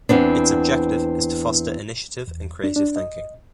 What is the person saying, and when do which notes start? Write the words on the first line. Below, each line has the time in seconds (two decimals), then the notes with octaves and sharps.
Its objective is to foster initiative and creative thinking.
0.09 E2 B3 C4 D4
2.28 E2
2.64 D4
2.76 D4
2.96 D#5